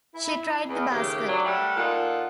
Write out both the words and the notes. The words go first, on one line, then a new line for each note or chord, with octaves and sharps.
She tried the basket.
E4
E2
D#2 C#3 A3 G4
F#3 D4
G3 A3 A4 A#4 F#5
A#2 D#4 F4 A4 F#5